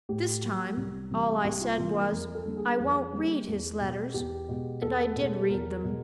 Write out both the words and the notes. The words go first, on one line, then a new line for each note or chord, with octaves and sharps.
This, time, all I said was, 'I won't read his letters!' And I did read them.
A2 G4
F#3 A#3
C2
C3 E3 G3 A#3
C2 G4
F4
C3 E3 G3 A#3 F4
A#4
F2 A#4
A4
D3 G3 A#3
G#4
F2 G#4
D3 G3 A#3
E2
B2 G#3
E2 G4
B2 G#3
E2 A4
B2 G#3
E2 A#4
B2 G#3